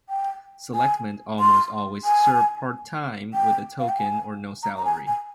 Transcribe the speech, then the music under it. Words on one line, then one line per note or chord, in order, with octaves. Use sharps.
Selectmen almost always serve part-time, with a token or no salary.
G5
G#5
C6
G#5
G5
F5
G5
G#5
A#5
A#5
G#5
G#5